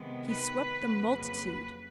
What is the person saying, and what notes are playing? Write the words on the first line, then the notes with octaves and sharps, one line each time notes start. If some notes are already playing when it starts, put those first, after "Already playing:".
He swept the multitude.
Already playing: C3 D#3 G#3 B3
B4
F2 C#3 F#3 A#3
B4